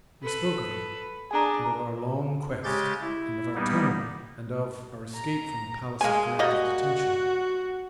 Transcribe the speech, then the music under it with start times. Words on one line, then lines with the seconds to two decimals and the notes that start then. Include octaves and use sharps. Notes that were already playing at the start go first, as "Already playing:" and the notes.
We spoke of it, and of our long quest, and of our tunnel, and of our escape from the Palace of Corrective Detention.
0.22 A4 B4
1.31 D4 G#4 G#5 A#5
2.64 C#3 G#3 G4 G6 A6
3.00 E4
3.55 G3 A#3 B3 D#4
5.15 A#5
6.01 G#3 A#3 G#5
6.39 G3 A#3 F#4 D#5